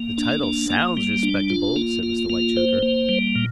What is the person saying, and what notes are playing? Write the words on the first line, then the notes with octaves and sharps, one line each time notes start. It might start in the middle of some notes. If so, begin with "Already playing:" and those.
"The title sounds respectable," said Mr. Whitechoker.
Already playing: A#3
D4
A#3
A#3
G3
D4
F4
A#3
F4
A#3
C5
A#3
G3
A#2